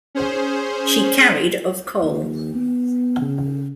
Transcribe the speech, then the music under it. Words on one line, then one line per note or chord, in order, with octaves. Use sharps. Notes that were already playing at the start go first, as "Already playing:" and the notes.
She carried of coal.
C#4 G#4 C5
D#2
B3
C#3